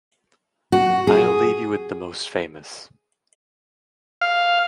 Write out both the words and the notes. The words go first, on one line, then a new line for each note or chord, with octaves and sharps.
I’ll leave you with the most famous.
F#4
G#4
F5